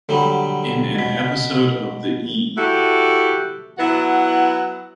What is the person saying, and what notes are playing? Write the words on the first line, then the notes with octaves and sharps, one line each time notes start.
In an episode of the E!
D3 F#3 G3 A4 B5
B2 B6
E4 F#4 G4 A4
F#3 B3 E4 F#5